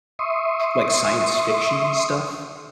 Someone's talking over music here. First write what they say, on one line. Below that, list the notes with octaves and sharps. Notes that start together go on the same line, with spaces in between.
like, science fiction stuff?
E5 C6 C#6 D#6